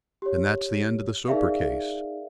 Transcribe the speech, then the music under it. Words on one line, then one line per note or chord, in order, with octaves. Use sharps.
Then that's the end of the Soper case.
G4 C#5
D#4 G#4 A#4 D5 E5 F5